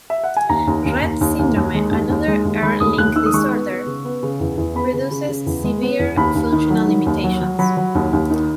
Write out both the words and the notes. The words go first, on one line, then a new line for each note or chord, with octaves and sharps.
Rett syndrome, another X-linked disorder, produces severe functional limitations.
E5
F#5
G#5
D#2 A#5
D#2
D#2
D#2
D#2
D#2
D#2
G#3
D#2
D#2
G#3
D#2
G#3 B5
D#2 D#6
D#2 F#6
D#3 E6
D#6
G#3 C#6
B3
B3
C#3
B3
C#3
E2
E2
B3 B5
C#3
C#3
C#3
E2
G#3
B3
E2
D#2 B5
D#2
D#3
F#3
D#3
D#2
F#3
F#3
F#3 B5
F#3
D#2
D#2
D#3